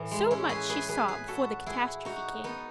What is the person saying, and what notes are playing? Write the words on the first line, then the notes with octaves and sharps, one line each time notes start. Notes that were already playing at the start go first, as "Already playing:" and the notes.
So much she saw before the catastrophe came.
Already playing: A2 E3
G#3
C#4 E4
G#4 B4
G#4 B4
G#4 B4
G#4 B4
F#4 A4
E4 G#4
D#4 F#4
B3 D#4